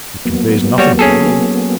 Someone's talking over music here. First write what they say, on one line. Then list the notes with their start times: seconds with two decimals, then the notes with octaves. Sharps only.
"It conveys nothing to me!"
0.25 F#3 A#3 B3
0.78 G3 F#4 C#5
0.99 C#4 G#4 A4